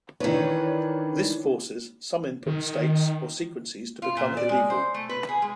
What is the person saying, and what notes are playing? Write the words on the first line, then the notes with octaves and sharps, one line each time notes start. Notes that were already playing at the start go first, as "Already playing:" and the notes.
This forces some input states or sequences to become illegal.
D#3 E3 D4 B4 C#5
D#3
F4
A#2
D5
G#3
C5
A3
B4
G#4
G#3